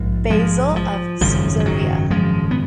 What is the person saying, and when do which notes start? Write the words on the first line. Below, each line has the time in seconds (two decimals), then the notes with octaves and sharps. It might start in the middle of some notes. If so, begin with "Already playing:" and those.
Basil of Caesarea.
Already playing: A#1 G#2
0.30 F3 G#3
0.76 F3
1.21 G#1 F#2 C#3 F3
1.60 F3
1.66 D#3 F#3
2.11 F3 G#3
2.51 B3